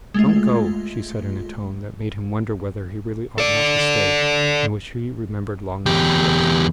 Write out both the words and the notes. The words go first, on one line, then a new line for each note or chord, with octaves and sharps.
"Don't go!" she said in a tone that made him wonder whether he really ought not to stay and which he remembered long afterwards.
G#3 A3 F4
A4 D5
E2 G4